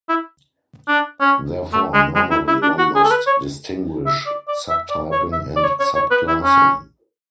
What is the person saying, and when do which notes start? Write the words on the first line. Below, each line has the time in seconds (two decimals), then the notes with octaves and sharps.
Therefore normally one must distinguish subtyping and subclassing.
0.09 E4
0.88 D4
1.21 C#4
1.73 A3
1.94 G#3
2.15 G#3
2.31 E4
2.48 E4
2.63 D4
2.78 F#4
2.95 G#4
3.04 A4
3.11 B4
3.27 C#5
4.06 E5
4.26 D5
4.48 D5
4.69 E5
4.90 D5
5.12 C#5
5.33 E5
5.56 D5
5.64 C#5
5.80 C#5
5.95 C#5
6.11 B4
6.28 E4
6.43 C#4